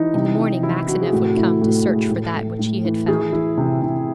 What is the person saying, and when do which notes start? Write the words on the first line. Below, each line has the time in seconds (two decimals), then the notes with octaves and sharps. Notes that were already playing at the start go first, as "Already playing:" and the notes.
In the morning Maxineff would come to search for that which he had found.
Already playing: E3 D#4
0.14 C3
0.38 E3
0.63 E3 E4
0.88 C3 F#4
1.02 G#4
1.12 A2 F#4
1.37 A2 E4
1.61 A2 F#4
1.86 A2 G#4
2.11 A2
2.35 A2
2.59 A2
2.85 E3
3.08 E3 G#4
3.33 E3 E4
3.58 C3
3.82 C3